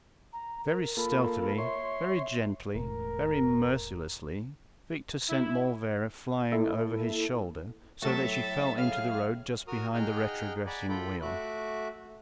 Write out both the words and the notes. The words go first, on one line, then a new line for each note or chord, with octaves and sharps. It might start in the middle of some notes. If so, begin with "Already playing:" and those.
Very stealthily, very gently, very mercilessly Victor sent Morlvera flying over his shoulder, so that she fell into the road just behind the retrogressing wheel.
A#5
A#4
A#3 F4 A4 B5
C#5 E5 C6
E1 A2 A#4
E4
A#3 E4 A4
A2 F#3 A3 F#4 A4 E5 A6
G#4 F5 F6
F#4 A#4 D#6 F6
D#4 G#4 F#5 G5 A#5 F6
D5 F#5 G#5 A#5 B5 D6
F4 A4 G5 B5 D6
A3 F#4 E5 D6 F#6